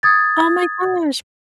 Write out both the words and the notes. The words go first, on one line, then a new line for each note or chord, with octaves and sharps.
Oh my gosh.
D#6 G#6 A6